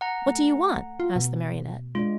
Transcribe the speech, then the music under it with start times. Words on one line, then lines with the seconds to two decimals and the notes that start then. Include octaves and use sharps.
"What do you want?" asked the Marionette.
0.01 F#5 A#5
0.27 A3
1.00 F4
1.16 B2
1.95 G#3 D4 F4 D5